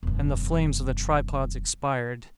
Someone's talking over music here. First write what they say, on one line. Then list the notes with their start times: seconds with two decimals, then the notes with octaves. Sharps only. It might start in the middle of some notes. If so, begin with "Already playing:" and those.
And the flames of the tripods expired.
0.03 E1 F#2